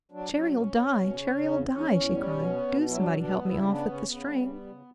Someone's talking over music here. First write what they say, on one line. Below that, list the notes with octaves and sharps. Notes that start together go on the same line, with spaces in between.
"Cherry'll die--Cherry'll die!" she cried, "do somebody help me off with the string!"
F#3 D4
F#3 C#4
B2 C#4
B2
B2
C#3
C#3
E2
E2 C#4
E2
G3
B2
B3
B2
F#3 E4
D4
B2 C#4
D4
B3
D4
C#3 E4
B3 D4
C#3 C#4
C#3 B3
G3
B3
C#3